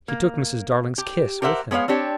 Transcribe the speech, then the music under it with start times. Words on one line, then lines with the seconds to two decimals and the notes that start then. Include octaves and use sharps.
He took Mrs. Darling's kiss with him.
0.08 A#3
0.98 G4
1.42 G4 A#4 C5 E5 F#5
1.71 G#3 B3 C#5 D#5 F5
1.88 C4 D4 G4 C#5